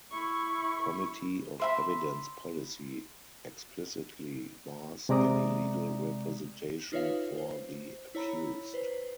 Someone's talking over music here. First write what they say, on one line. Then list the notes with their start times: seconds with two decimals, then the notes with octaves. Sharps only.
Committee of Evidence policy explicitly bars any legal representation for the accused.
0.11 E4 C#6
1.60 C5 E5 B5
5.09 C3 G#3 D5 A#5 D6 D#6
6.92 D#4 F4 B4 C#5 E5 F5
7.38 C5
8.15 E4 C#5 A#5 B5 E6
8.74 B4 C5